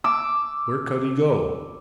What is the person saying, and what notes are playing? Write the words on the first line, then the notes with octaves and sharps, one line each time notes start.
Where could he go?
D6 E6